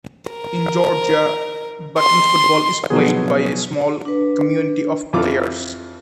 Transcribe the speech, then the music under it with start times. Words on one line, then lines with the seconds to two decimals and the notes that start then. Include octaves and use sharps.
In Georgia button football is played by a small community of players.
0.31 A#4
1.98 C6
2.90 B2 F3 F#3 B3 G#4
4.05 D4 B4
5.13 F2 E3 F4 D6